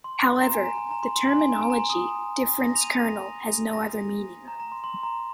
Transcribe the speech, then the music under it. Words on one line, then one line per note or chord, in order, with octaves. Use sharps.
However, the terminology "difference kernel" has no other meaning.
C6
C6
A#5
G#5
A#5
A#5
A#5
C6
C6
G#5
G#5
A#5
G#5
A#5
C6
D#6
A#6
F7
D#7
A#6
A#6
A#5
A#5
C6
C6
A#5